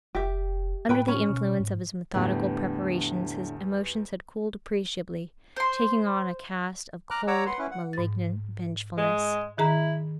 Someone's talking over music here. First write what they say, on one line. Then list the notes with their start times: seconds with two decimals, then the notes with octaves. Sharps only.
Under the influence of his methodical preparations, his emotions had cooled appreciably, taking on a cast of cold malignant vengefulness.
0.15 F1 G4 E5
0.89 A2 B4 G5 B5
1.08 C#4 B5
1.30 B2
1.60 G#2
2.14 E2 A2 D3 G3 B3
5.56 C5 C6
7.10 A#5 D6 F6 F#6
7.27 C#5 F#5 A#5 D6 E6
7.46 B4 F#5 C6
7.59 C#4 E4 B4
7.71 F#5
7.93 G#2 A6
8.98 G#3
9.58 D#3 E4 G#4 A#5